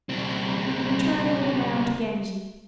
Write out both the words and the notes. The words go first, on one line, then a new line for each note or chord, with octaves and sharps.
Return we now to Genji.
C#2 C4